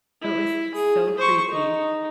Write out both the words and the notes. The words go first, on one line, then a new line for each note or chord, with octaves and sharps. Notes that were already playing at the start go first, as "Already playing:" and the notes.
It was so creepy,
E4
G#4
C5 C#6
D#4